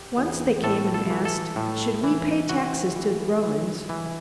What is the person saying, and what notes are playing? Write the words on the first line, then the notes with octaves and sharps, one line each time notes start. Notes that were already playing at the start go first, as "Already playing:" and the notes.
Once they came and asked, "Should we pay taxes to the Romans?"
Already playing: G4
E2
A2 A4
A4
E3
A4
A2
E3
E3 F#4
E3
E3
E3